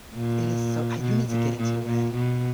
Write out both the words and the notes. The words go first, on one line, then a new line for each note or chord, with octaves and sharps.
It is, so you need to get into it.
A#2
B2
A#2
A#2
A#2
B2